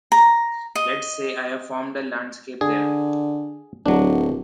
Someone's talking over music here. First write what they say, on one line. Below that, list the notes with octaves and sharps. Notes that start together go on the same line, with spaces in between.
Let’s say i have formed a landscape there.
A#5
D#5
D3 G#4
D1 F#3 D4